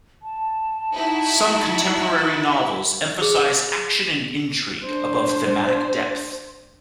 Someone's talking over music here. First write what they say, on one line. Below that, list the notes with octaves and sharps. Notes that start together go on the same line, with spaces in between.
Some contemporary novels emphasize action and intrigue above thematic depth.
A5
D#4 E4 F#4
G#4
D4 C5